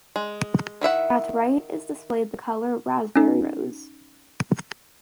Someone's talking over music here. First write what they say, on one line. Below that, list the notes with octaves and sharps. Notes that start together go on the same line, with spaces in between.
At right is displayed the color raspberry rose.
G#3
D#3 E4 E5 F#5
C#4 D#4